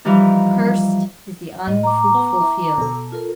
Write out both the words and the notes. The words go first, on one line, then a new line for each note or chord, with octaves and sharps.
"Cursed is the unfruitful field!"
E3 F3 G3 D#4
A2 D#5
A#5 D6
B3
E4
B2 A4
F4 A4 A#4